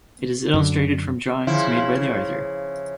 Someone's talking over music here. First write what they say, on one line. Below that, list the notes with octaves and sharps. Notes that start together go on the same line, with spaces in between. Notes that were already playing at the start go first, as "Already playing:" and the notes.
It is illustrated from drawings made by the author.
F#2 D3
C#3 F3 E4